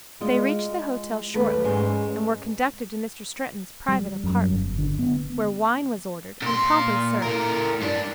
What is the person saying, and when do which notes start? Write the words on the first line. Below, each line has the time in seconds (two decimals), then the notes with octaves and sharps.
They reached the hotel shortly and were conducted to Mr. Stretton's private apartment, where wine was ordered, and promptly served.
0.21 G#3 F4 D#5
1.34 D#2 A3 A4 B4
1.64 G#2 G#3 C#4 C5 C#5 G#5
3.88 G3
4.24 F#2
4.52 G1
4.78 D3
4.99 B3
6.42 A#2 C6
7.22 A2 A#4
7.82 G2 D4